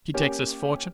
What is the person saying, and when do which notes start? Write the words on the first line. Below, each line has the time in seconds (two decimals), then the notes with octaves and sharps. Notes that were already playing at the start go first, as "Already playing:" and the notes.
He takes his fortune.
0.14 A#3 C#4 G4 C#5